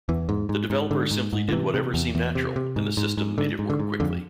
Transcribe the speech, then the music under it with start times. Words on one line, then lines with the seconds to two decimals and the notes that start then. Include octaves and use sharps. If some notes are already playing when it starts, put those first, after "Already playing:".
The developer simply did whatever seemed natural, and the system made it work quickly.
0.09 E2 E3
0.29 G#2
0.49 G#2
0.70 G#2
0.91 G#2 D3
1.11 G#2
1.33 G#2
1.49 D3
1.53 C3 E3
1.74 C3
1.94 E2
2.15 E2
2.35 C3
2.56 C3
2.76 G#2
2.97 G#2
3.17 G#2
3.38 G#2 D3
3.59 G#2
3.70 D3
3.80 G#2
4.00 F2 D3